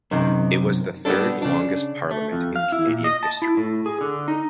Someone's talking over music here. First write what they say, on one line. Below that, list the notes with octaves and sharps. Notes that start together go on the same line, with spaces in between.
It was the third longest parliament in Canadian history.
F#2 C3 D#3
G3 B3 C4 D4 A4
C#3 D4
A3
F2
F5
E4
A#2
D#5
A5
E4
A2
G#4
D3
D#4